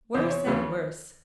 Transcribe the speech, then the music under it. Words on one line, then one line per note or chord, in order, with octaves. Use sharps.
"Worse and worse."
E2 C3 E3 C5
C#5
D2 C#3 E3 A3